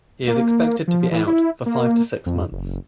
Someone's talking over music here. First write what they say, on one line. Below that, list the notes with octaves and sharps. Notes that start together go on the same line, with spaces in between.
He is expected to be out for five to six months.
A#3
F3
E3
E4
A#3
F2
F#1